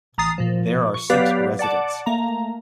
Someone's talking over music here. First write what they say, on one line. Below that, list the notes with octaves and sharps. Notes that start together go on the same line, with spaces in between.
There are six residents.
A1 A#5 D#6 A6 C7
A#2 F3
C#6
F#3 B3 G4 B4 D5 F5
D5 F#5 A5 D6
A3 A#3 A#5